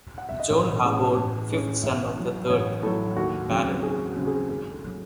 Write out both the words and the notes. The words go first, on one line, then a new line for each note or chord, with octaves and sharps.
John Harbord, fifth son of the third Baron.
F#5
E5
D#5
A1 C#5
A2 G#3 C#4
A1
A2 G#3 C#4
A1 E5
A2 F#3
A1 C#5
A2 F#3 A4
D#2 F#4
C#3 F#3 C4
D#2 G#4
F#4
C#3 F#3 C4
F#4
G#4
G#1 G#4
A4
F#3